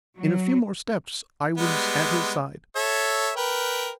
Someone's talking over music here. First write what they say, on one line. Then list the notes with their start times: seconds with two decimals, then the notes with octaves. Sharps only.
In a few more steps I was at his side.
0.18 F#3
1.57 G3 G#3 B3
2.76 A4 C#5 E5
3.36 A#4 B4 G5